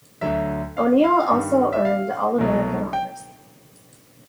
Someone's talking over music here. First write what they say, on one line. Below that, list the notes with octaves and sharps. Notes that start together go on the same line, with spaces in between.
O'Neil also earned All-American honors.
D2 D3 F#3 E5
F5
F5
G2 D#3 G3
E5
F5
C2 B2 F#3 A3
G5